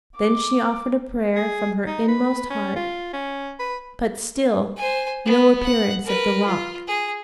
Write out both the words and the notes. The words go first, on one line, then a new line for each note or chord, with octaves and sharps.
Then she offered a prayer from her inmost heart, but still no appearance of the rock.
D6
G#4
D#4
B4
C#4
F4
C#4
B4
C5 G#5
B3
F#5
A#4 B4
F4
G#4